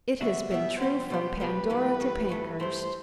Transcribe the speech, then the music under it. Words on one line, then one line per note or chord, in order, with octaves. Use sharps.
It has been true from Pandora to Pankhurst.
D3 G3 D4 F#4 E5
B2 G3 B3 E5
B2 G3 B3 C5
B2 G3 B3 C5
B2 G3 B3 B4
G2 E3 A3
G2 E3 A3
G2 E3 A3
G2 E3 A3 C5